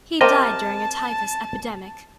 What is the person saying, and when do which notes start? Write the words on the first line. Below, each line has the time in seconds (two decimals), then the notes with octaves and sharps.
He died during a typhus epidemic.
0.21 C3 G4 A#4 C5 D#5 G5 A5